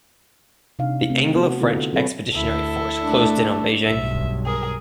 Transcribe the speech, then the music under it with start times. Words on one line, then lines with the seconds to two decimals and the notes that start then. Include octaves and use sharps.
The Anglo-French expeditionary force closed in on Beijing.
0.79 C3 D4 D#4 F5
1.10 A3 C4
1.35 B3 F#4
1.61 D3 B3 E4 F4 A4
1.93 F#3 C4 G#4 A4 B4 C#5
2.33 D2 E4 A4
3.01 A3 D4
3.85 B1 G2 E5
4.45 G#4 A#4